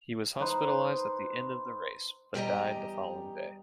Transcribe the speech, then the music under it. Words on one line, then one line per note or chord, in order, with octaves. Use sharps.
He was hospitalised at the end of the race, but died the following day.
D#4 B4 C5
E2 G3 G4 A#4 D#5 A#5